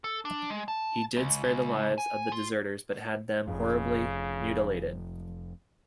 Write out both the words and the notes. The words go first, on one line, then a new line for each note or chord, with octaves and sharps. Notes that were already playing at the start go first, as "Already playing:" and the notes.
He did spare the lives of the deserters, but had them horribly mutilated.
A4
D4
G#3
A5
C#2
C#2
G#5
F4
F1 F2 C#3